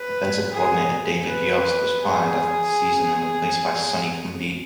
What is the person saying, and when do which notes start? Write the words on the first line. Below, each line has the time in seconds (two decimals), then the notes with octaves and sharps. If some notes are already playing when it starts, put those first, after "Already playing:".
Offensive coordinator David Yost was fired after the season and replaced by Sonny Cumbie.
Already playing: B4
0.52 G#4
1.27 B4
2.03 G#4